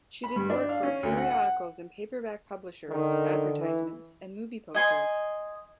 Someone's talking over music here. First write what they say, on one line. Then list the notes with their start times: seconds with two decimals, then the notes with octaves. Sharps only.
She did work for periodicals and paperback publishers, advertisements, and movie posters.
0.24 B5
0.36 G2
0.50 D4
0.69 F5
0.83 C#4
1.03 D2
1.18 F#5
1.30 F#5
2.89 D3 D#3
3.60 E3
4.75 D#5 G#5 C6